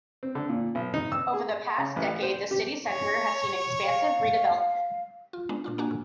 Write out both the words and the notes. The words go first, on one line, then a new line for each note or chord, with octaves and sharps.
Over the past decade the city Centre has seen expansive redevelopment.
C4
D3
A#2
B1
D#4
E6
G#4
C#3
A1
C5
G4
C#5
F5
F4
G#3 B3 C#4 D4
A#2 D4 F4
A#3 D4 F#4 G#5
A2